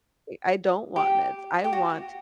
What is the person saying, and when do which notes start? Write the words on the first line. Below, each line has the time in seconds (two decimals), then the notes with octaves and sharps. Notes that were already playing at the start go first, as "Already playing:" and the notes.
I don't want meds, I want
0.96 G4
1.64 G4
1.73 F#4